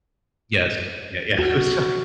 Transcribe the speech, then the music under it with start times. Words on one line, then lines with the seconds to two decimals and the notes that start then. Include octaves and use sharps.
Yes. Yeah, yeah. I'm sorry
1.39 F#4